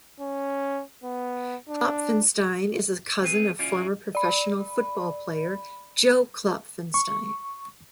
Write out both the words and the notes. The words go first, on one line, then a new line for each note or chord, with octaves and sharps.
Klopfenstein is a cousin of former professional football player Joe Klopfenstein.
C#4
B3
D4
C4 G#4 B4
C#4 E4 F4 D5
D5 B5
C#6